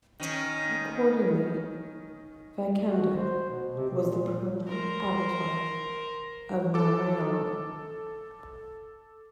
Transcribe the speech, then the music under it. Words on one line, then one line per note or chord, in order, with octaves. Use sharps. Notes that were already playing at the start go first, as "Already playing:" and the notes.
Accordingly, Vaikundar was the Purna avatar of Narayana.
D#3 C#4
F#4
C5
B2
C3
A#2
A#4 C5
A4 D6